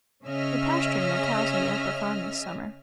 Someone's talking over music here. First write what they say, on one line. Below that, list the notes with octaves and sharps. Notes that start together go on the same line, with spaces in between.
They're pasturing their cows on the upper farm this summer.
C#3 C#4 D#5 E5 F6